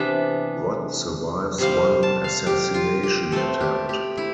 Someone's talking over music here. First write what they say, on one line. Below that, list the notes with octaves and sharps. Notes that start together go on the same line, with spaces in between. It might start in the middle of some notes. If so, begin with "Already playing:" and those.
Rod survives one assassination attempt.
Already playing: C3 E3 B3 D4 E5
C3 G3 C4 F5
A5
F5
G4
F4
G4
B2 A3 C4 A4
G4
G4
E4